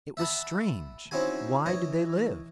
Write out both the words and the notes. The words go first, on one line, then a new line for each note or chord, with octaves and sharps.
It was strange--why did they live?
E5 F#5 A5 B5
C4 C#4 D#4 E4 F#4 G#5
E3 C#5 D#5